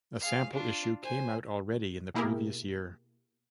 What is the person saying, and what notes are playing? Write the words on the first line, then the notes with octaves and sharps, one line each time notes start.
A sample issue came out already in the previous year.
G#4 F5
D4 F4
C5 G#5
B2 A#3 E4 G4 G#4 A#4